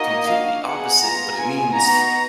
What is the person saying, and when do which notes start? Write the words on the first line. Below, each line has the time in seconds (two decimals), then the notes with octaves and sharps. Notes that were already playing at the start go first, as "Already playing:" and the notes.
completely opposite, but it means
Already playing: A#3 D#4 F#4 D#5
0.29 D4 F#4 F5
0.65 B3 D#4 G#4 F#5
1.01 B3 F4 G#4 A#5
1.38 B3 F4 G#4 G#5
1.74 B3 D#4 F#4 A#5